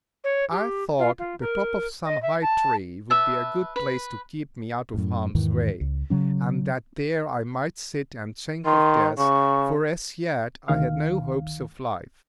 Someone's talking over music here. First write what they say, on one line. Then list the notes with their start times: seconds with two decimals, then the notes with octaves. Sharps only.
I thought the top of some high tree would be a good place to keep me out of harm's way; and that there I might sit and think of death, for, as yet, I had no hopes of life.
0.24 C#5
0.51 G4
0.99 F4
1.19 F4
1.40 A#4
2.05 D#5
2.22 E5
2.42 A5
3.10 B4 E5 A5
3.76 B4
4.94 F#2 A2
5.35 E2 G#2 D#3 E3
5.81 C#2
6.10 C#3 F#3 C#4
8.66 D#3 C6
9.18 C#3 C#6
10.68 D2 D#3 F5